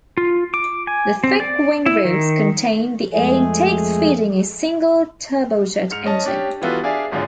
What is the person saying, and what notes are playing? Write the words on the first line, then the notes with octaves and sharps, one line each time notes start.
The thick wing roots contained the air intakes feeding a single turbojet engine.
F4
D6
G#5
C4
D5
E4
D#3
F2 G#3 A3 G#4
G#2 F6 C#7 F7
C#4 D#5 A5
C#4 D4 G4
E3 G3 B3 F4 F#4 A4
D4 G#4 D5 E5 F5 G#5
G#1 G#2 D3 F#3 F4 G#4